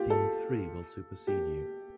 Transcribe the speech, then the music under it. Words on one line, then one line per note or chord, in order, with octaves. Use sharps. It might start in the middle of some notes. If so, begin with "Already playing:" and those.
Team three will supersede you.
Already playing: F4 G4
A4
G4